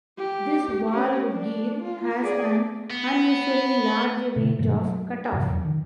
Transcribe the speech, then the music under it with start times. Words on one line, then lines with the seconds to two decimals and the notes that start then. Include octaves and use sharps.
This valve gear has an unusually large range of cutoff.
0.18 G4
0.89 C#4 G4
1.30 D4
1.83 F4
2.21 G#4 D5
2.90 B3
4.36 B2 D3
4.59 G2 B2 D#3 F#3
4.81 F#3 A#3
5.32 F2 G#2 C3 F3
5.47 E2 F#3
5.65 D#3